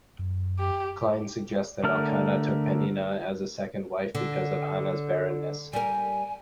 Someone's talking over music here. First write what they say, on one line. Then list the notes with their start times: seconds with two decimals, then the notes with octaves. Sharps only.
Klein suggests that Elkanah took Peninnah as a second wife because of Hannah's barrenness.
0.19 F#2
0.59 G4
1.84 D3 A3 A#4 F6
4.15 D3
5.73 G3 A#4 G#5